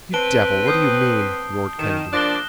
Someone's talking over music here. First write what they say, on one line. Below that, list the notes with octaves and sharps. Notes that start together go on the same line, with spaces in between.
"You devil, what do you mean?" roared Kennedy.
C4 B4 A5 D7 G7
D#6 G6 C7
D#3 E7
F3 A#3 D4 F#6 A#6 G7